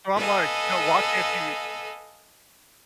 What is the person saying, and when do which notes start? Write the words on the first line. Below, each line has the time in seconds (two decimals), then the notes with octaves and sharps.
So I'm like, you know, why can't you
0.15 A4 B4 D#5 F5 G#5